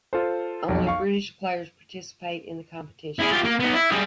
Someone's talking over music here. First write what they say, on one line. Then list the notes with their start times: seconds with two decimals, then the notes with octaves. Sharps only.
Only British players participated in the competitions.
0.13 F4 A4 C5
0.68 B1 F2
0.87 F5 C#6
3.20 E4 G#4
3.33 F4 G4
3.45 A#3
3.60 B3 D#4
3.74 E4
3.92 G3 G#4